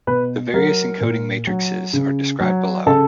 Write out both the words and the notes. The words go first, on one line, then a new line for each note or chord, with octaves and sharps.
The various encoding matrixes are described below.
B2 B4
F#3 A#4
A#2
F#3
C#3
F#3
C#3 A4